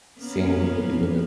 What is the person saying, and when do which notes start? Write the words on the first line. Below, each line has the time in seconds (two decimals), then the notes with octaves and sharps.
seeing what we can do.
0.19 A#3 B3 C#4